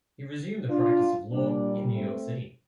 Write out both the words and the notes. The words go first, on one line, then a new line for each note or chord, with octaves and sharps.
He resumed the practice of law in New York City.
D4 F4
A#2 G3 A#3 D4
A3 C4